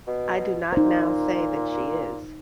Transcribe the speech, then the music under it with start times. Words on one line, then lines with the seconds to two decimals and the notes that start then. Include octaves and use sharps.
I do not now say that she is.
0.07 B2
0.73 A#2 D#4 C5